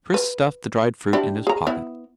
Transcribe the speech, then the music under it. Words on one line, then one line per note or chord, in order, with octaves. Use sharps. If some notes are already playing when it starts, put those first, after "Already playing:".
Chris stuffed the dried fruit in his pocket.
B4
D4 E4 G4
G#4 A#5
B3 E4